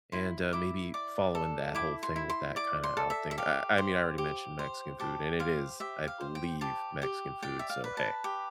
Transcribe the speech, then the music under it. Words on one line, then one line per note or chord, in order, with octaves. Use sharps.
and, uh, maybe following that whole thing with that kinda out thing. I I mean, I already mentioned Mexican food and it is, I believe, Mexican food, so, hey,
E4 C6
E4 D6
D5 D6
A4
E4 D6
C6
E4
C6
D5 D6
C6
A4
E5
E5
G4 F5
C5
G4
C5
G4 A5
C5 F5
G4 E5
F5
C5
G5
G4 A5
G4 G5
D5 G5
E5
F5
B4
A5
G4